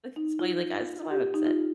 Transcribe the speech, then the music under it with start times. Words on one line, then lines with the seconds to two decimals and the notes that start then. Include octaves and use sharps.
like, explain, like, "Ah, this is why I'm upset."
0.16 D#4
0.39 F4
1.11 G4
1.34 D#4
1.46 F4